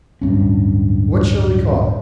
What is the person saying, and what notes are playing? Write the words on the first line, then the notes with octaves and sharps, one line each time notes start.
What shall we call it?
D1 G2 C#4